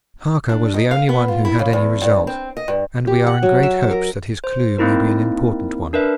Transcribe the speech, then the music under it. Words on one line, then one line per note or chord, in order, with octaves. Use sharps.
Harker was the only one who had any result, and we are in great hopes that his clue may be an important one.
D4
D#4
F5
B3
F4
E4
C#3
E2
G2
C4
D#5
G2
G4
F#5
F#3
E5
A#4
C5
A#3 C4 D#4 E4 A#4
D4 A#4 B4 E5